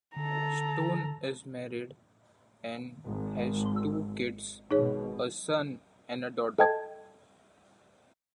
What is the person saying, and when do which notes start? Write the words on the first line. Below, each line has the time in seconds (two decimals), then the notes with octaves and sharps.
Stone is married and has two kids, a son and a daughter.
0.16 D3 A4 A#5
3.05 G#1
4.71 G#1 B2 D#4 G#4 C#5
6.59 A4 D#5 G5 A5 G#6